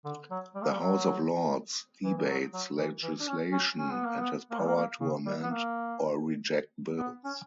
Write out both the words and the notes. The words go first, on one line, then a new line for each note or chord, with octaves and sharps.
The House of Lords debates legislation, and has power to amend or reject bills.
D3
F#3
G3
A#3
G3
F#3
E3
E3
F#3
F#3
E3
E3
D4
C#4
C#4
C#4
B3
A#3
B3
A#3
G3
A#3
A#3
C#3
G3
B3
A#3
B3
C#4